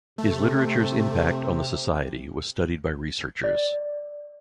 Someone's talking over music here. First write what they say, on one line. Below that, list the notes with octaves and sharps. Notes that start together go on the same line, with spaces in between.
His literature's impact on the society was studied by researchers.
C3 A3
D5